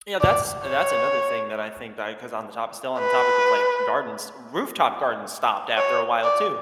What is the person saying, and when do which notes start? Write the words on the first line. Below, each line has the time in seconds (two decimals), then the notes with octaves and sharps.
Yeah, that's that's another thing that I think I 'cause on the topi still on the topic of like gardens, rooftop gardens stopped after a while too,
0.20 D5
0.66 C#5
2.99 B4
5.77 C#5
6.24 D5